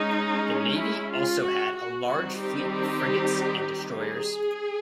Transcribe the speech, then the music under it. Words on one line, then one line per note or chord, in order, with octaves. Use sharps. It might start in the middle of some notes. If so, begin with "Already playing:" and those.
The navy also had a large fleet of frigates and destroyers.
Already playing: G#3 C#4 D#4
E4
F4
F#4
F#4
D#3 G3 C4 D#4 F#4
G4
G#4